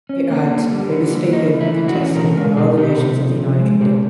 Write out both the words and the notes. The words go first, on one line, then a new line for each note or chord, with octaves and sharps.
It had previously been contested by all the nations of the United Kingdom.
C#4
A#3
D3
G3
D3
A#3
E3 D#4
A3
E4
E3
F#4
C#4
B2 A#4
G#3 A#4
B2 G#4
B3 G4
C3
F3
C3
G#3
B2 G4